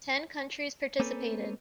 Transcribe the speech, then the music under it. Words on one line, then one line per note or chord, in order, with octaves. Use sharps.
Ten countries participated.
A#3 C4 C#4 A4 B4